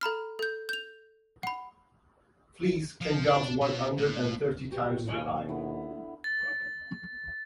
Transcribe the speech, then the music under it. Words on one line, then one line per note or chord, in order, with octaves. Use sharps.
Fleas can jump one hundred and thirty times their height.
A4 A#5 B5 F6
A4 G6
G6 F7
F#5 B5
F3
D4
B2
A2
F#4 G4 B4
D#2 B2 C#5 G#5
D3 B3 E4
A6